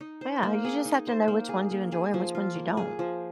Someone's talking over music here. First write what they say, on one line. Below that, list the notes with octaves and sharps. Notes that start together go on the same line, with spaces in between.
Yeah, you just have to know which ones you enjoy and which ones you don't.
D#4
C5
A#3
G#4
D#4
C5
A#3
G#4
A#3
G#4
F3
F4
A#3
G#4
F3